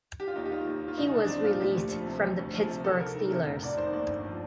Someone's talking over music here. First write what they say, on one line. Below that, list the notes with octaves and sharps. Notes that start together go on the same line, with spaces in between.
He was released from the Pittsburgh Steelers.
G4
F4
D#2 D#4
G4
D#3 F4
D#2
D#3
F4
C2 D#4
C2 D4
D4
F3 C4
A#2 F4
D2 G4
D2
F3
C3
D2
D2
F3
C3
C2 A4
C2 A#4
D#3
C3
F1
F1 D5
D#3 C5
D#2 D5
G1
F3